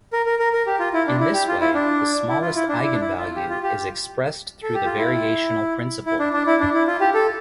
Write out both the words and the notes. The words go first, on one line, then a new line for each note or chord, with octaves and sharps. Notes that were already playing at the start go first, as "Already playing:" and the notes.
In this way, the smallest eigenvalue is expressed through the variational principle.
A#4
A#4
A#4
A#4
G4
F4
E4
D4
E4
G4
F4
E4
D4
E4
F4
E4
D4
E4
D4
E4
F4
G4
F4
G4
A4
G4
F4
E4
E4
D4
D4
E4
D4
E4
F4
G4
A4